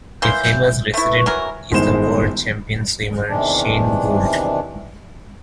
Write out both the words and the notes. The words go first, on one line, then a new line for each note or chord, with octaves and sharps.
A famous resident is the world champion swimmer Shane Gould.
E3 A#3 C6 G6
A3 E4 B4 C#6
E3 F#3 A#4
G1 D#3 G#3 E4 C5 E7
E2 C3 D#3 E3 D4